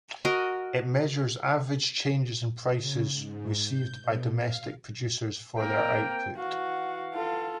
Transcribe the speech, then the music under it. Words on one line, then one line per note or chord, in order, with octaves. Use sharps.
It measures average changes in prices received by domestic producers for their output.
F#4 A#4 D#5
C#3
G#2
G6
B2
F5
A#3 C4 A#4 G5
E3 F#4 F5 F#5
F4 A4